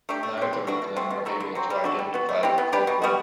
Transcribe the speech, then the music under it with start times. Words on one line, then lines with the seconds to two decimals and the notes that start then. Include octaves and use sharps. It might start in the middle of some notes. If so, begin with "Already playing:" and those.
Neither of them were able to identify the culprit.
0.09 A3 D4 G4
0.23 A3
0.37 C4 G4
0.53 E3
0.67 A3 D4 F#4
0.82 B2
0.96 A3 C4 F#4
1.10 B2
1.25 F#3 A3 E4
1.40 D3
1.55 F#3 C4
1.70 G3
1.84 D4 F#4 A4
1.99 G3
2.14 B3 F#4
2.29 A3
2.43 C4 E4 G4
2.58 B3
2.72 D4 G4 B4
2.87 B2
3.02 G3 B3 F#4